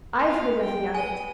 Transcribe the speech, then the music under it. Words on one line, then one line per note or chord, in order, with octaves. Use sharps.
"I've heard nothing of it."
F4 F5
G5
B4 G#5 D#6